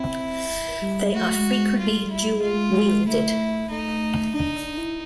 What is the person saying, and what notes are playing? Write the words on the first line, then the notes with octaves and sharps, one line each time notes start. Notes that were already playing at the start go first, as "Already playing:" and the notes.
They are frequently dual wielded.
Already playing: C4 E4
G3
A3 F#4
G#3
G#3
G3 F4
G#3
G3
E4
G#3 F4
A3 E4
A3 D#4
D4 D#4
D4
E4